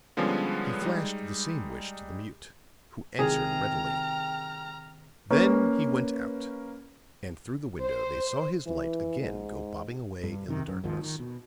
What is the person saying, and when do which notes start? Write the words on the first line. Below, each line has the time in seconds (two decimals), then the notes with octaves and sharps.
He flashed the same wish to the mute, who answered readily; then he went out and through the window they saw his light again go bobbing away in the darkness.
0.17 D3 F3 G3 G#3 B3 C#4
0.82 G3 G#3 D#4
3.19 C3 D#3 G#3 G#4 G5 A#5 F6
5.31 A#3 C#4 B4
7.82 C5
8.67 E3
9.20 G#2
10.23 G2
10.48 C3 D#3
10.68 F#2
10.84 G#1 D#2 G#2 F3
11.01 D#3
11.19 B2